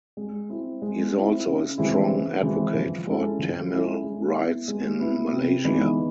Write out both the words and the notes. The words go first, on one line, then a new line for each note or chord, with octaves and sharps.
He is also a strong advocate for Tamil rights in Malaysia.
G#3
C4 E4
G#3
C4 E4
C#3
E3 G#3 C4 E4
C#3
E3 G#3 C4 E4
F3
G#3 C#4 E4 A4
F3
G#3 C#4 E4 A4
G#3
B3 E4
G#3
B3 E4
C3
E3 G#3 B3 D#4